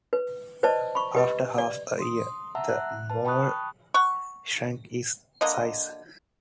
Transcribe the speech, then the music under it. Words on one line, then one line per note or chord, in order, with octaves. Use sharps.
After half a year, the mall shrank its size.
B4
B4 C5 D5 D#5 A5
B5 C#6
G4 B4 D#5
D5
C6 D#6
E5 F#5 A5 A#5 E6
F#6
B4 A5
G5 A5 B5 C#6 D#6 F#6
F#5 C#6
D3 A#3 D#5